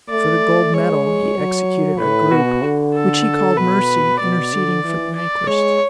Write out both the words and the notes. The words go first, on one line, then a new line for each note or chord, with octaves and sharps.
For the gold medal he executed a group which he called Mercy interceding for the Vanquished.
A3 D5
G#3 C#5
F#3
A2 B4
B2 F#4
D3
A4
B2 B4
B2 D5
D3
E3
D5
G#3 C#5